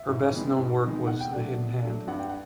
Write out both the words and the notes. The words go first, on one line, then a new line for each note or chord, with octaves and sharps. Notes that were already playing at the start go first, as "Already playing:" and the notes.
Her best known work was "The Hidden Hand".
Already playing: E5
G#2
D#3 G#3 B3 D#4
G#2
D#3 G#3 B3 D#4
B2 F#5
G5
F#3 A3 D4 F#5
B2
F#3 A3 D4
G2 F#5
G5
F#5